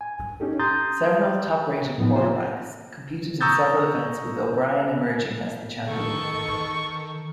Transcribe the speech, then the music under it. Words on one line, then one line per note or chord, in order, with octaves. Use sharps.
Several top-rated quarterbacks competed in several events with O'Brien emerging as the champion.
G#5
C#4 D#4 G4 A4
A#5 C6 D#6 G6 A6
A2 F3 B3 D#4
A#3 F4 C5 C#5
A#5 C#6 D#6 E6 G6 A6
D#3 A4 C#6